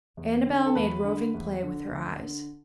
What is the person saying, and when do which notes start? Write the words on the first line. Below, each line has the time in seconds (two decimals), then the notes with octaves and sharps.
Annabel made roving play with her eyes.
0.17 E2
0.46 D3
0.66 A4
0.75 E2 B4
1.04 D3
1.34 E2
1.63 D3
1.91 D2
2.21 D3